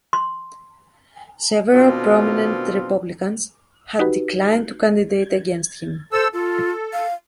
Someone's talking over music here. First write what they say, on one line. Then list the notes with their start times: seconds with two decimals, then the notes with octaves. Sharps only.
Several prominent Republicans had declined to candidate against him.
0.13 C6
1.72 B2 D#3 C4 D4 F4
3.99 D#4 F#4 G4 B4
6.13 A4 C5 E6
6.33 F4 A4
6.93 F5